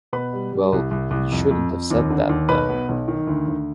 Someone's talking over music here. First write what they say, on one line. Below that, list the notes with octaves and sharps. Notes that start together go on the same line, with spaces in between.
Well — you shouldn't have said that, then.
B2 B4 B5
G3
G3
C2
C2
C2
F2
F2
F2
D#2
D3
D#2
B1 B4 B5
B2
B1
D#3
D2
D2